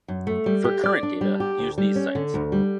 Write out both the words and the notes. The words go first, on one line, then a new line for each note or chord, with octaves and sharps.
For current data, use these sites.
F#2
A3
G3
G4
D5
D4
G3
G4
D2
G3
C#4
D3
D2
G3